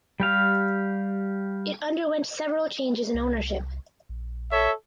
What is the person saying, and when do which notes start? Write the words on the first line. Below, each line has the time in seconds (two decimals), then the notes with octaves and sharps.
It underwent several changes in ownership.
0.20 G3 G4 F5
3.14 C2
4.09 A#1
4.51 A4 C#5 E5